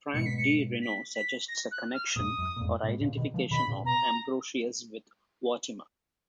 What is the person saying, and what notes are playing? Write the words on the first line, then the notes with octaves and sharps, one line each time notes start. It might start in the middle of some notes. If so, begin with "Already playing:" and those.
Frank D. Reno suggests a connection or identification of Ambrosius with Vortimer.
G#2 B2 C#7
B6
C#7
B6
B6
A#6
F#6
F6
F#2 A#2 D#6
F#2
A#2
F2 G#2
G#2 B2
A#2 C#3
B2 D#3
C#3 F3
B2 D#3 B5
A#2 C#3
B2 A#5